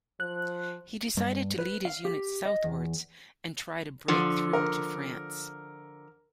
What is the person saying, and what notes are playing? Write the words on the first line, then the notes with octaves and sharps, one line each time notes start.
He decided to lead his unit southwards and try to break through to France.
F3 F#6
G2
B4
F5
G4
D#5
E2
D3 F3
A#4